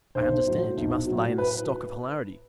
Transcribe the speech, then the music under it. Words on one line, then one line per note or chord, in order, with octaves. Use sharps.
"I understand; you must lay in a stock of hilarity."
B1 C5
A2 F#3
B1
F#3
A2
B4